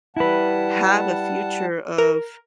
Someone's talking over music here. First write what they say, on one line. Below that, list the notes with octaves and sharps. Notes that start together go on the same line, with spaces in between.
have a future of
G3 E4 B4 F#5 A5
A#4